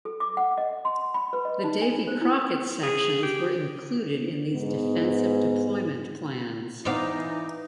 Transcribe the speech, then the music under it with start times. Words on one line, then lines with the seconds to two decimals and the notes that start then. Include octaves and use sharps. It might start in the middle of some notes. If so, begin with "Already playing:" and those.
The Davy Crockett sections were included in these defensive deployment plans.
0.05 A4
0.20 D6
0.37 F#5
0.57 D#5
0.85 C6
1.14 B5
1.33 B4
1.45 D#5
1.64 D#4
1.82 G#5
2.07 C5
2.21 E4
2.83 G#4
3.23 G4
4.52 G#2 G#3 B3
6.85 E3 B3 D#4 B4 C5 D5 F5